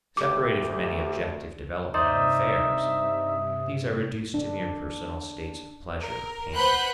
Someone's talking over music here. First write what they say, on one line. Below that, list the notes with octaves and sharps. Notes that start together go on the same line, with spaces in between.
Separated from any objective development of affairs, these are reduced to mere personal states of pleasure or pain.
D2 G4 D6
G2 C3 D#4 C5 D5 E5 D#6
D4
A#4
B4 C5 F#5 B5 F#6 G6